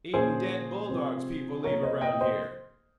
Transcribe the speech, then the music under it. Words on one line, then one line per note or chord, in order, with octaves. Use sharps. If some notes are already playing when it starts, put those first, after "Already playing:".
"Eatin' dead bulldogs people leave around here."
A#2 F3 A#3 C#4 G#4 C5
C3 F3 C4
C3 F3 A#3 A#4 C#5
C5 D#5
D#5 G5
C5 D#5